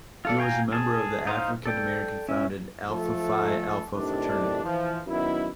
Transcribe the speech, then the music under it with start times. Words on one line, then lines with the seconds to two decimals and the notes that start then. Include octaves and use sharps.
He was a member of the African American founded Alpha Phi Alpha fraternity.
0.25 F4 A4 D5
0.38 F5 G5 G#5 A#5
0.72 G#4 A5
1.27 D#4 C5 F5
1.66 A4 D5 G5
2.29 C#4 E4
2.89 F3 A3 A4
3.92 A2 C3 D#3 D4
4.63 E3 F3
5.06 F#2 D#3 B3 E4